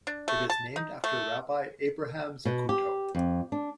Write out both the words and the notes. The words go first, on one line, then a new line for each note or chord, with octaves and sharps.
It is named after Rabbi Abraham Zacuto.
D4
A3
A5
D#4
A3
B2
G4
F2
D4